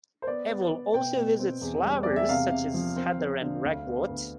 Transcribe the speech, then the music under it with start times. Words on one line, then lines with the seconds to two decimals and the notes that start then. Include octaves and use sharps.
It will also visit flowers such as heather and ragwort.
0.22 C5
0.27 B3 D5
0.49 B3
0.72 B3
0.94 B2 G5
1.16 B2
1.39 C4
1.61 E2
1.84 G3
2.03 E2 D5
2.16 E5
2.29 C3 F5
2.52 C3
2.74 F3
2.96 C4
3.19 C4
3.42 D3
3.65 D2
3.87 B3
4.09 D2